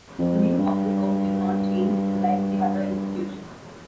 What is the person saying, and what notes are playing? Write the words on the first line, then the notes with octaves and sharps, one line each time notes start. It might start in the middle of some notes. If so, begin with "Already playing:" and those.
The name of the Court did not change unlike the other institutions.
F2
G2